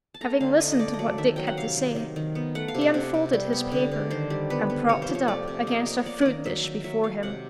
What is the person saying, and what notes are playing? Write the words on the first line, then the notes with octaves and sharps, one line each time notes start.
Having listened to what Dick had to say, he unfolded his paper and propped it up against a fruit dish before him.
A5
A3 A#5
D3 F5
D3 D#5
D#5
A3 D5
D#5
F#3 D5
D#3 E5
F#3 G5
F#5
C3 F5
D#3
D#3
D#3
B3
A3 F#5
F5
C3
F#5
C3
C3
G3
B3
D3
D3
D#3 C5
G3
B3 B4
B3
C3 C#5
C5
F3
C#5
A3 D5
C3
A#3 D#5
A#3 D#5
C#5
A#3 D5
D#3 D5 D#5
F#3 E5
D#3 E5
F#3 E5
F#3 F5
C3 F#5